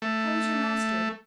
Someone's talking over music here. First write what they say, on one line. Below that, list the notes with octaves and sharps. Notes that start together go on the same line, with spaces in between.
How is your master?
A3